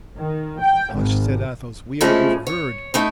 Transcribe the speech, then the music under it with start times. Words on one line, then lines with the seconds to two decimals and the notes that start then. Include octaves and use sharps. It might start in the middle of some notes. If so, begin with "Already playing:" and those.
"Hush!" said Athos, "we are overheard."
0.16 D#3
0.60 G5
0.93 G#1
2.01 F3 G#3 A3 C#4 E4
2.47 C#5
2.94 A3 D#4 E4